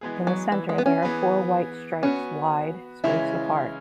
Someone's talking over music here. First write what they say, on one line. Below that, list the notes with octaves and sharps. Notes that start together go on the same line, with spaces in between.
In the center there are four white stripes wide, spaced apart.
E3 G#3 B3 G#4
F#3
E3
G#3
B3
C#4
E3 B3 G#4 B4
B3 C#4 F#4 B4
C#3 E3 G#3 C#4 E4